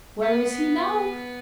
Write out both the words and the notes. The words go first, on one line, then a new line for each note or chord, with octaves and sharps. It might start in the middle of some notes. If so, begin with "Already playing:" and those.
"Where is he now?"
B3